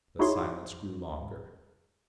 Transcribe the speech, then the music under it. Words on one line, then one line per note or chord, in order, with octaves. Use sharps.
The silence grew longer.
D#4 E4 F#4 G#4 C#5 C6